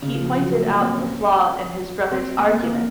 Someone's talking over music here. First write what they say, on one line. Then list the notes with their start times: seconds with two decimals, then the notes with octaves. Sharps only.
He pointed out the flaw in his brother’s argument.
0.02 C#3
0.15 F3
0.28 F3
0.42 F#3
0.55 A3
0.68 A#3
0.81 C4
0.94 C#4
2.12 C4
2.38 A#3
2.63 A#3